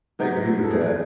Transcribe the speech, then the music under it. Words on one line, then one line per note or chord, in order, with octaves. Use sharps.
I agree with that.
G#2 F#3 B3 D#4
E4
A4
G#4